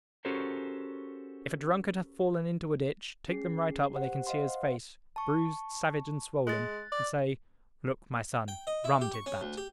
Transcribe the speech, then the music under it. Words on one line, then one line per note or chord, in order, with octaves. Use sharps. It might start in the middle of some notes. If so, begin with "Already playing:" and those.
If a drunkard hath fallen into a ditch, take them right up where they can see his face, bruised, savage and swollen, and say, "Look, my son: Rum did that!"
C#4 F#4 G4 A4 A#4 C5
C#4 G#4 C7
G4 C5 F#5
C5 D#5 F5 F#5 C6
A5 C#6
G#3 F#6 A6
D5
G5
D#5
E4
G4
C#6
C#4
D2
G4